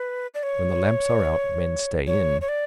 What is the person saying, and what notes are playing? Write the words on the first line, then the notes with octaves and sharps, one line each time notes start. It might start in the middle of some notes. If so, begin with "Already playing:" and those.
When the lamps are out men stay in.
Already playing: B4
D5
C#5
C#5
C#5
D5